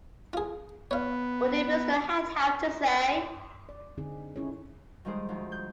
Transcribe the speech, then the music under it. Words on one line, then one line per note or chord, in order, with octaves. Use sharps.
What did Mr. Haight have to say?
F4 G#4
B3 C#5 F5
D5
D3 C4 D#4 G#4
C#4 D#4 E4 G#4 A4 C#5
D#3 F3 G3 G#3 G#4 C5
D2 D#3 F3
G6